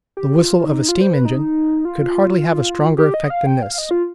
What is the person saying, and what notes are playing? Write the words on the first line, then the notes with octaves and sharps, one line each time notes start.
The whistle of a steam-engine could hardly have a stronger effect than this.
G4
F4
D#4
F4
C5
B4
D#4
F4
G4
D#5
F5
G5
F5
D#5
F4